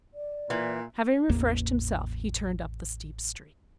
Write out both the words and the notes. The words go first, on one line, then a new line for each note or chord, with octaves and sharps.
Having refreshed himself he turned up the steep street.
D5
A#2 E3
A1 E2 A#3